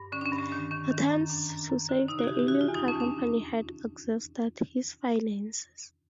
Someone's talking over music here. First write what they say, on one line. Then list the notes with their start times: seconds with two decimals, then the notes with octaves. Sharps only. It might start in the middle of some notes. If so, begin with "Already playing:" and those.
Attempts to save the ailing car company had exhausted his finances.
Already playing: G2
0.12 D3 C#4
0.21 D4
0.25 C#4
0.32 G2
0.38 C#4
0.52 D#3 D4
0.71 D#3 C#4
0.91 D#3
1.10 F#2
1.30 F#2 D4
1.50 F#2
1.70 F#2
1.89 D3
2.08 C3 D#4
2.19 F#4
2.24 G#4
2.28 E3 G4
2.39 G4
2.48 E3 F#4
2.61 F4
2.68 E2
2.75 D#4
2.88 F2 C#4
3.00 D4